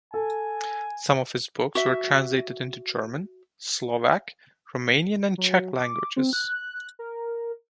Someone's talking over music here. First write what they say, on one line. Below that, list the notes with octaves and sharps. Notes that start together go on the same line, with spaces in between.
Some of his books were translated into German, Slovak, Romanian and Czech languages.
A4 G#5
F#4 E5
F#3
D6
C4
F#6
A#4